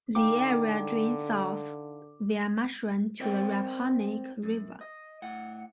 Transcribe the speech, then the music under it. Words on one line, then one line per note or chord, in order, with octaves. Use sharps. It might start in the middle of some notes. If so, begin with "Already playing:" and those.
The area drains south via Marsh Run to the Rappahannock River.
D3 D#4 F5 G5 D6
C4 A#4 C5 D5 D#5 G5
F#2
D#5
A2 F#5